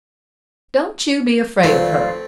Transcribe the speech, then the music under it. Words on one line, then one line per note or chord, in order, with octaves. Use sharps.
Don't you be afraid of her.
G#1 F2 A3 C4 F4 B4 D5 F5